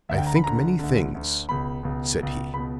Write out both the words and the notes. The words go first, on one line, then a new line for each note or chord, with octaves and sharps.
"I think many things," said he.
D2 D3 E5 G5
A#5
B5
D2 D3 A#5
D2 D3
D2 D3
C#2 B2 B5
C#2 B2
C#2 B2
C#2 B2 B5